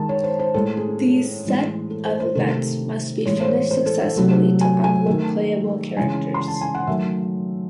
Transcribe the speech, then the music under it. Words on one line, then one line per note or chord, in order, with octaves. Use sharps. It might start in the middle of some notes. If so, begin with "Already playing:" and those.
These set of events must be finished successfully to unlock playable characters.
Already playing: D#3 G#3 A5
C#5
C5
C5
A2 G#3 A4
G#4
A2 E3 G#3
A4
C5
C5
C3 D#3 A3 A4
A2 E3 G#3 C#5
C5
C#5
C5
A4
A4
C3 F#3 A3
G#5
G#5
D#3 A3
C#3 E3 G#3 G#5
C6
A5
G#5
F#5
D#3 F#3 A3 E5